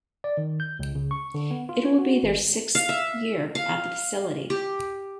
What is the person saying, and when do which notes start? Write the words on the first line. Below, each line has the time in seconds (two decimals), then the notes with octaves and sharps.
It will be their sixth year at the facility.
0.24 D5
0.37 D#3
0.60 G6
0.79 C#2
0.95 C#3
1.11 C#6
1.34 D3
1.51 B3
1.69 F4
1.85 C#5
1.98 F#4
2.23 G#1
2.75 F5
2.89 E5
3.55 F5
4.50 G4